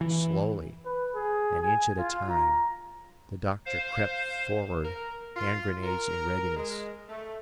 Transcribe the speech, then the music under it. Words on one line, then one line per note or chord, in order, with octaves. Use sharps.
Slowly, an inch at a time, the doctor crept forward, hand-grenades in readiness.
E3
B4
G#4
G#5
F4
A#5
C5 F5
A#4
F4
A#4
G#3
A3